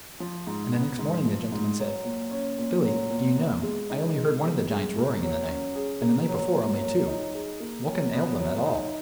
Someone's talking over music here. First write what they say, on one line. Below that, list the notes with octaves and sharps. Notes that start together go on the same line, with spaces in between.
And the next morning the gentleman said, "Billy, do you know, I only heard one of the giants roaring in the night, and the night before only two. What can ail them, at all?"
F3
G#2
B3
G#2
F3
G#2
F#3
A#2
C#4
A#2
F#3
A#2
B3
G#3
D#4
G#3
B3
G#3
A#3
F#3
C#4
G#4
A#3
F#3
A#3
F#3
D#4
G#4
A#3
F#3
B3
F#3
D#4